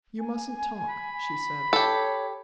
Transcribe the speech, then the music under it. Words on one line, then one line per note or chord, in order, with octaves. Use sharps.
"You mustn't talk," she said.
G#5
B5
G4 A4 C#5